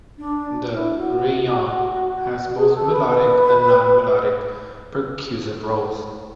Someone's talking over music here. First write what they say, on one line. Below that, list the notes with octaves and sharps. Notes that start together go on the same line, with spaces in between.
The "reyong" has both melodic and non-melodic percussive roles.
D4
E4
F#4
G#4
A4
B4